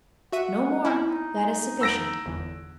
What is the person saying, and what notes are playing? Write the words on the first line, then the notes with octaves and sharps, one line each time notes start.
'No more; that is sufficient.
F#4 E5 F#5 D#7
C#4 E4
D#4
E6 A#6 D7
G1 E2